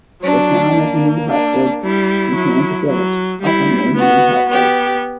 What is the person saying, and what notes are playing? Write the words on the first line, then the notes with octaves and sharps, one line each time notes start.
The Town of New Hartford contains a village, also named New Hartford.
F#3 D4
A#3
D4
G3 E4
F#3
F#3
G3 E4
B3 F#4
B3 G4